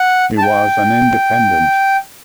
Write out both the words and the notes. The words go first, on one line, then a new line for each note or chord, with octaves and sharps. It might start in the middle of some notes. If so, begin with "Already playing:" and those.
He was an Independent.
Already playing: F#5
A5
G5